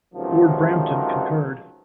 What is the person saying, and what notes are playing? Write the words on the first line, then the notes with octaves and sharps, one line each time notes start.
Lord Brampton concurred.
C#2 C3 D#3 F3 F#3